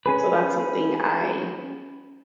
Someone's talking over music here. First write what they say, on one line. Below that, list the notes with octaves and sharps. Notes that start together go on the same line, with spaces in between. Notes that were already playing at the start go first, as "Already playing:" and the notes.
So that's something I
C#4 G#4 B4